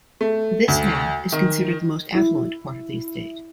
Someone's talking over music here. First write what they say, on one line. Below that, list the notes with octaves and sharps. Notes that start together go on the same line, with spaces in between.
This half is considered the most affluent part of the estate.
A3
D2
D#3
E4